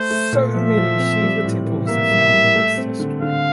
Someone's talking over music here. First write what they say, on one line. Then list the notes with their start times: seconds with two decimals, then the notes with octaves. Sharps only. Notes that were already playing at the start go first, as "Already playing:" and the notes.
So many Shiva temples are found in this district.
Already playing: A3 C5
0.11 A3
0.33 A#2
0.55 F3 E5
0.77 F3
0.99 C4
1.22 G3
1.45 A2
1.66 E3
1.88 A#3 E5
2.11 G3
2.33 G3
2.56 A3
2.77 C4
3.00 D3
3.22 D3 F5